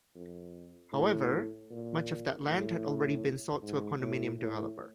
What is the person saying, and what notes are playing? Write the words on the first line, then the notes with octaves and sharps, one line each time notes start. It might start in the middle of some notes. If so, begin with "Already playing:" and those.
However, much of that land had already been sold to a condominium developer.
F2
A2
A#2
A2
G#2
A2
A2